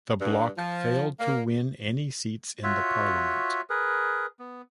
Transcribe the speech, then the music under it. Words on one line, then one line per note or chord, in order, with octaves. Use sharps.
The bloc failed to win any seats in the parliament.
G2
F3
A#3
F4 F#4 C#5 E5
G#4 A#4 B4
B3